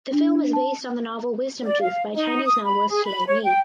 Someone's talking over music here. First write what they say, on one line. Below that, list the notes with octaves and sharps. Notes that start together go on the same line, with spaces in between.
The film is based on the novel "Wisdom Tooth" by Chinese novelist Lei Mi.
D4
A5
D5
F5
D#4
D#6
B5
G#4
B5
C#5
G5